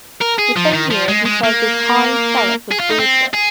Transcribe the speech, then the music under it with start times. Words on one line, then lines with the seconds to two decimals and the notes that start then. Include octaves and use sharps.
That same year he served as High Sheriff of Dorset.
0.21 A#4
0.39 G#4
0.57 F3
0.74 D#3
0.91 F3
1.08 G#3
1.25 G#3
1.44 A#3
2.71 G#4
2.80 F4
2.90 D#4
2.99 C4
3.34 G#4